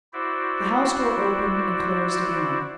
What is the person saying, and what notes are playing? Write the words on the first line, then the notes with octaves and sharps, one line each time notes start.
The house door opened and closed again.
E4 F#4 C5 D5 E5